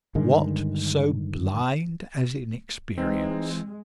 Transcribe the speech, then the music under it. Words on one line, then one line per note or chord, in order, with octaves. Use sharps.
What so blind as inexperience?
G2 D3 D#3 G#3
E3 G#3 C4 D#4